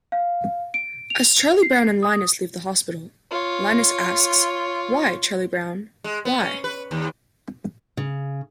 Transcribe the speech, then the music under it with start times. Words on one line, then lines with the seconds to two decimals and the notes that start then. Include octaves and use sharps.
As Charlie Brown and Linus leave the hospital, Linus asks: "Why, Charlie Brown, Why?".
0.12 F5
0.74 D7
1.10 F7
1.62 C7
2.03 D#6
3.31 F4 C#5
6.04 G#3
6.25 B3
6.43 C#4
6.64 B4
6.91 D#2
7.97 C#3